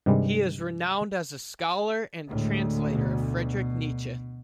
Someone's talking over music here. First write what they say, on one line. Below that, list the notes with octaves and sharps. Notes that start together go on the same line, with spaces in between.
He is renowned as a scholar and translator of Friedrich Nietzsche.
G2 C3 D#3 G3 G#3
D2 A2 G#3
B2